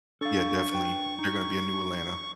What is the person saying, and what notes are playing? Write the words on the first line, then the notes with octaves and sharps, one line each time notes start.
Yeah, definitely, there gonna be a new Atlanta.
D4 A4 F5 C#6 A6
B4 G5
D#4